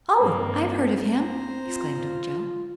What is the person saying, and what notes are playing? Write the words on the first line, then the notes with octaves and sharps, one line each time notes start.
"Oh, I've heard of him!" exclaimed Ojo.
G2 D#3 A#3 C4
C5 A#5
F4